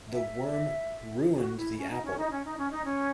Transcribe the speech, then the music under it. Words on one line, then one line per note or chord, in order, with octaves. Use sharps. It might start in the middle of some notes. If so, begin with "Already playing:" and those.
The worm ruined the apple.
E5
F#4
E4
C#4
D#4
C#4
D#4
C#4
D#4
C#4
D#4
C#4